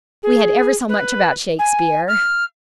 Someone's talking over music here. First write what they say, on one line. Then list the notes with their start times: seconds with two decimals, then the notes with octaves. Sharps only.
We had ever so much about Shakespere.
0.22 G#4
0.88 B4
1.58 G#5
2.07 F6